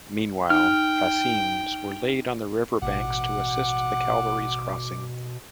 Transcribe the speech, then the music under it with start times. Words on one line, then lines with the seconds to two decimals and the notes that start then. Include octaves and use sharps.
Meanwhile, fascines were laid on the river banks to assist the cavalry's crossing.
0.50 D#4 G5 F6
2.82 A1 B2 F#5 D6